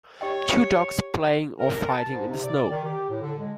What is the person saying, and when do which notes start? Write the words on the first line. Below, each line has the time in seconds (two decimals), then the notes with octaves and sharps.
Two dogs playing or fighting in the snow.
0.21 G4 C#5 D#5 G5
1.59 A#4
1.88 A5
2.12 G#2
2.27 C3
2.43 D5
2.71 D#3
2.84 G4
3.09 A2
3.21 D3
3.38 G#3